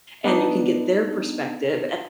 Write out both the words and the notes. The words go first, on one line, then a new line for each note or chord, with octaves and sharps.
and you can get their perspective and
B3 D4 D#4